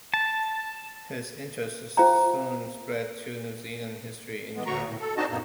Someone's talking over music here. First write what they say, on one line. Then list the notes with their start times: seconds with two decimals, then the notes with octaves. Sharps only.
His interests soon spread to New Zealand history in general.
0.14 A5
1.97 F4 C5 F5 G5 A#5
4.53 E3 G#3 B3
4.66 D2 D3 F#4 A#5 C#6
4.83 A2
5.00 A4
5.17 C4 D4 D#4 F#4 D#5 A5
5.30 F#2 A#2 A#3 B3 D#4